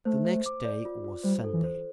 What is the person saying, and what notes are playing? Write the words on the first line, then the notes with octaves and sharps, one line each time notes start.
The next day was Sunday.
A3 C5
C5
D6
D5
F4
F4
G3 C5
A4
E3
C5